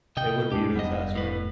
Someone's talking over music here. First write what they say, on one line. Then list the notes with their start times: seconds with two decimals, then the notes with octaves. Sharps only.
it would be really satisfying.
0.17 C3 D#5 G5
0.52 E2 G#3 D4 G4
0.76 F1 G3 B3 D#5
1.16 A2 B4